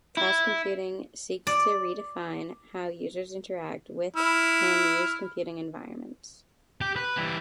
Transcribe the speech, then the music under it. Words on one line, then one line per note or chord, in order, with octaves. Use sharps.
Task computing seeks to redefine how users interact with and use computing environments.
E4
D5
E4 F6
G4
B4
E3 G3